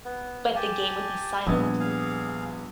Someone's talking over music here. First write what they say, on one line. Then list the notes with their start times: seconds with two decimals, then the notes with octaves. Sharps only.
but the game would be silent,
0.05 B3
0.56 G4 G#5 A5
1.47 A#1 G3 B3 G#4 D#5
1.80 G#4 F5